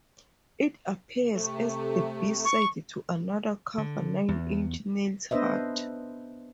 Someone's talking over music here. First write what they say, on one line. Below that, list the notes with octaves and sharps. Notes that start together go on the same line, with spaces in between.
It appears as the B-side to another cover, Nine Inch Nails' "Hurt".
C3 A3
C#6
D3
E2
B3 D4 B4 C5 D#5 E5